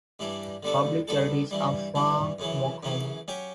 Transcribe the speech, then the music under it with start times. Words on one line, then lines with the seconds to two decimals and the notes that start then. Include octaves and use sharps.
Public charities are far more common.
0.19 G2 E3 G3 D4
0.63 D3 G3 B3 D4 A4
1.08 D3 G3 B3 D4 A4
1.51 G2 E3 G3
1.95 G2 E3 G3
2.39 F#2 C#3 E3
2.83 F#2 C#3 E3
3.28 F#3 C#4 G4